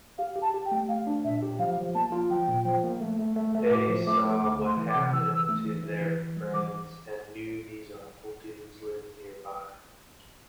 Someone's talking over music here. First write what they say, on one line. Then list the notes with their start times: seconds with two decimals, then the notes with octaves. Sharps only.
They saw what happened to their friends and knew these awful dudes lived nearby.
0.18 G4 F5
0.36 G4
0.42 A5
0.54 G4
0.65 G5
0.72 A3
0.89 A3 F5
1.07 D4
1.24 A#2 E5
1.42 G4
1.59 F3 F5
1.77 F3
1.95 A#3 A5
2.12 F4
2.30 F3 G5
2.48 A#2
2.65 F3
2.84 A#3
3.01 A3
3.19 A3
3.36 A3
3.55 A3
3.71 A2 D6
3.89 F3
4.07 A3 D6
4.25 A3
4.42 D2 D6
4.60 A3
4.65 C6
4.77 E3
4.89 D6
4.95 C3
5.13 E3 E6
5.30 E3
5.49 A3
5.65 E3
5.83 E3
6.01 E3
6.19 E3
6.37 G3
6.53 E3 D6